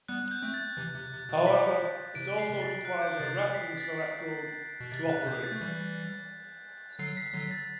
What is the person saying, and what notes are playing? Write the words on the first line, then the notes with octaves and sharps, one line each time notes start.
However, it also requires a reference electrode to operate.
G3 B3 F#6
G6
A3 C4
A6
C3 E3
C3
C3
B2
B6
C3 D7
C7
C3
A6
F#6
G6
C3 A6
C7
B6
A6
B6
B2
C3 A6
F#6
C3
B2 G6
A6
A3
E3 G3
D3 F#3 C7
B6
D3 F#3
A6